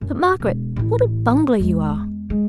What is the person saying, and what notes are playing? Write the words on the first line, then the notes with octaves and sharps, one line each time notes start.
But, Margaret, what a bungler you are!
F#2
E1
A1 E4
E2 G#3
G#3